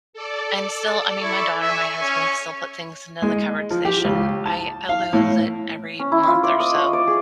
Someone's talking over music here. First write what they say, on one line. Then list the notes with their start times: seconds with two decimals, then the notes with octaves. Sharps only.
And still, I mean, my daughter and my husband still put things into the cupboards they shouldn't. I I lose it every month or so,
0.13 A4 D5
1.21 E4 C#6
1.61 E5 G#5 C#6
2.02 C#4
3.22 G#3
3.71 F3
3.85 G4
4.04 C#2
4.46 A5
4.89 F5
5.13 A2
5.99 C#4
6.12 E4
6.27 F4
6.43 D5
6.60 D#5
6.75 C#5
6.93 D5
7.07 G#4